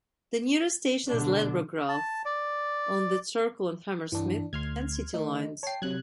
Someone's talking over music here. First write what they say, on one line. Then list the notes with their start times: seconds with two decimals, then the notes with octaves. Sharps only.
The nearest station is Ladbroke Grove on the Circle and Hammersmith and City lines.
1.08 B2 D3 D4
1.89 A5
2.25 D5
4.12 G2 E3 D4
4.53 D2 C6 F6 G#6
5.14 D#3 A3 D#4
5.63 C#5 G5 A5 C7
5.82 C3 F#3 C#5 F#6 G#6